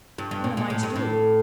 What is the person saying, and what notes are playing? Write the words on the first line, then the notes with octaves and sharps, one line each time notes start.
"What am I to do?"
G2
G2
A#2
A#2
A2
G2
A2